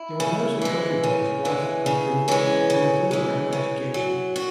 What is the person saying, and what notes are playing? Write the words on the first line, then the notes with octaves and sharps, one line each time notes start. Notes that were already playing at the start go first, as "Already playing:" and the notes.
They were mostly country boys, rough, uncouth, and with little or no education.
Already playing: E4
C#3
E3 G#3
C#3 C#4
E3 G#3
C#3
E3 G#3 C#4
C#3
E3 G#3
C#3
F#3
F#4